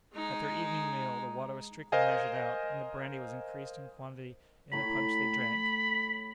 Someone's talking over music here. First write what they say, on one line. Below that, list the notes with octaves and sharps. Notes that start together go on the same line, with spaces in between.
At their evening meal, the water was strictly measured out, and the brandy was increased in quantity in the punch they drank.
G#3 D#4
A#4 C5 D#5 F5 G#5
A2 C#5 A#5 B5